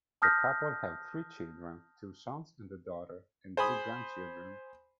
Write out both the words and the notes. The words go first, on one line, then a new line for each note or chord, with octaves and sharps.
The couple have three children, two sons and a daughter, and two grandchildren.
A5 D#6 F6 G6 A#6 B6
C5 G#5 B5 D#6